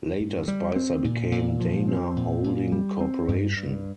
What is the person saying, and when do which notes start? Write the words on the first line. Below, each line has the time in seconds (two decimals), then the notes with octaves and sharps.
Later Spicer became Dana Holding Corporation.
0.21 G2
0.48 G3
0.76 C4
1.04 A#2
1.32 A#2
1.60 F3
1.88 C4
2.16 A#2
2.44 A#2
2.72 G3
3.01 C4
3.28 G2
3.57 G2